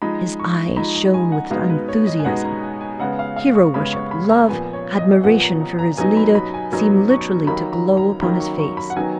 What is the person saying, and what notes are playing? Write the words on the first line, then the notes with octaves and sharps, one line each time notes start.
His eyes shone with enthusiasm; hero-worship, love, admiration for his leader seemed literally to glow upon his face.
F3 G#3 D#4 B5
C#6
F3 G#3 D#4 B5
A#5
G#5
F#5
B2 G#3 B3 D#4 F5
B4
C#5
D#5
G#5
B2 G#3 B3 D#4 F#5
A#5
G#5
G#5
C#3 G#3 B3 F#5
F5
F5
C#6
C#3 G#3 B3 B5
C#6
B5
A#5
A#2 F3 B3 G#5
C#5
D#5
A#2 F3 B3 F#5
A#5
A#5
A#5
B2 F#3 B3 D#4 G#5
B5
B5
G#5
B2 F#3 B3 D#4
C#6
D#3 F#3 A#3 D#4 B5
A#5
A#5
D#3 F#3 A#3 D#4 B5
C#6
C#6
B5
F#5
D#3 F#3 B3 D#4 G#5